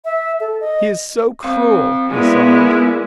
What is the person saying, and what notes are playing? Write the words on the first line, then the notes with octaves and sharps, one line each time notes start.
"He is so cruel!" he sobbed.
E5
A4
D#5
C4 F5
A#2 G#3 B3 E4